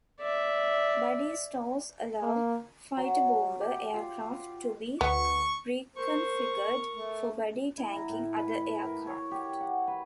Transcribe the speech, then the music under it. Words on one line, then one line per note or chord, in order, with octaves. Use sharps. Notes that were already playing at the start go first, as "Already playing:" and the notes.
Buddy stores allow fighterbomber aircraft to be reconfigured for "buddy tanking" other aircraft.
D5 E5
A#3
F#3
G4
F4
D2 B3 C#6
A#4 C5 C#6
A3
E4
A#5
A2
B4
A#4
C#5
G4
F#5
B4